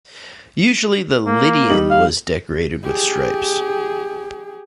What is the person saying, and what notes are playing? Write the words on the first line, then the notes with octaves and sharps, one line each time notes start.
Usually, the "lydion" was decorated with stripes.
A#3
G3 D#4 F#7
F5
G4 G#4